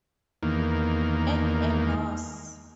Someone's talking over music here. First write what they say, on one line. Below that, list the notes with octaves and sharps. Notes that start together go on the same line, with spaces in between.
At a loss.
E2 D#3 A#3